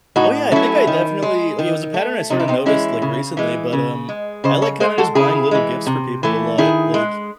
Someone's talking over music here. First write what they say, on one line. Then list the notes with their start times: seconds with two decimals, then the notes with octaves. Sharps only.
Oh yeah, I think I definitely like, it was a pattern I sorta noticed, like, recently, but, um, I like kinda just buying little gifts for people a lot. Like
0.16 A2 D#4 F#4
0.52 F#3 A3 C#4 E4
0.87 D#3
1.22 G#3
1.59 D#3
1.94 A3
2.30 C3 D#4
2.39 E4
2.48 C4 D#4
2.66 E3 G#3 C#4 E4
3.02 C#3
3.37 E3 G#3
3.73 C#3
4.09 G#3
4.44 C#3 C5 D#5
4.62 A4 C#5
4.80 G#3 G#4 C5
4.98 F#4 A4
5.15 C#3 E4 G#4
5.51 E3 G#3
5.87 C3
6.23 E3 A3
6.58 D#3 E4 G#4
6.94 G#3